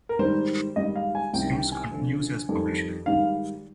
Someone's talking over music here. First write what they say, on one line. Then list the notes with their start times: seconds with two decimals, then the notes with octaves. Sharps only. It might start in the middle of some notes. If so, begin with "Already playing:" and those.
Sims continues as publisher.
0.09 A#4
0.19 G#2 D#3 G3 C5
0.76 G#2 D#3 G3 D#5
0.96 F5
1.15 G#5
1.33 C2 C3 D#3 G3 G5
1.53 G5
1.72 G#5
1.91 D2 D3 F3
2.48 F2 D#3 G3
3.06 G#2 D#3 G3 F5